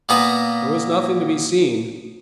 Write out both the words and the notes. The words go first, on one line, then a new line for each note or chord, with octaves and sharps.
There was nothing to be seen.
A#2 B3 A#5 D#6